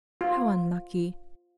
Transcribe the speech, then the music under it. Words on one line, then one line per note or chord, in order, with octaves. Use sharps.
How unlucky!
F4